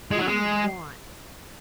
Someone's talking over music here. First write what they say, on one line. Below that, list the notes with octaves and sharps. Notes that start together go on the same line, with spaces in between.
"What do you want?"
G#3
F#3
G#3